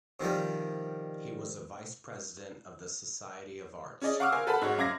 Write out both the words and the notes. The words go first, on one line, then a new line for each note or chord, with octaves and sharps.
He was a vice-president of the Society of Arts.
C3 D#3 F3 G3
C#4 G#4 D5 D#5
F5 F#5 C#6 D6 E6 F6
A#4 C5 F5 G#5
A4 B4 C5 F#5 A5 B5
G#2 F#4 C#5
F#2 F5 D6 G#6 A#6